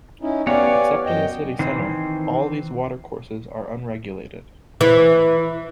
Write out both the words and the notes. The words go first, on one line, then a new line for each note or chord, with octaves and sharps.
Except in the city centre, all these watercourses are unregulated.
C#4 D#4 E4
B3 G4 C#5 D5 F5 F#5 G#5
F#2 D#5 G5
D#3 E3 C4
E3